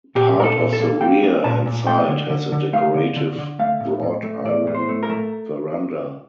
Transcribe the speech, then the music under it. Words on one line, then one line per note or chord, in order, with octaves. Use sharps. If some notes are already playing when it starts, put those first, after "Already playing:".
Part of the rear and side has a decorative wrought iron verandah.
A#2 G4
A#2 A#4
A4
A#2
A4
A#3
A#3 G5
A#3
A#2 A5
A#2
A3 G5
D3
D3
D3
A3 F5
D3
D3
D3
A3 F5
A2
A2
A3
A2 D5
A2
C5
A3
A#4
A3